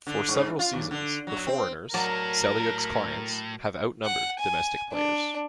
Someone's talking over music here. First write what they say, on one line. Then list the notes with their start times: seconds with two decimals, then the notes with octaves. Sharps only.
For several seasons, the foreigners, Selyuk's clients, have outnumbered domestic players.
0.07 D3
0.28 G#2
0.59 F4
0.73 D#2
0.91 D3
1.27 F#3
1.47 C4
1.94 A2 F#3 A#4 D5
4.05 F#5
4.39 G#5
4.92 D4